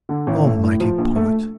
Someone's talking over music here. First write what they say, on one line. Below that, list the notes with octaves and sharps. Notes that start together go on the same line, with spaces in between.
O, mighty poet!
D3
A1
A3
A2
F3
A#1
A3